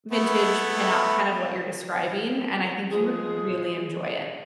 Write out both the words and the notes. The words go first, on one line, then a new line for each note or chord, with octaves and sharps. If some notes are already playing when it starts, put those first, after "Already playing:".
vintage pin-up, kind of what you're describing, and I think you would really enjoy it.
A3 B3 E4
F3 G#3 G#4